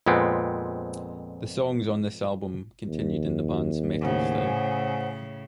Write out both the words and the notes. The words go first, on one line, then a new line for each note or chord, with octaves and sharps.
The songs on this album continued in the band's metal style.
F2 A#2 G#3 B3 C4
D#2
A2 C#3 C5 F#5 G#5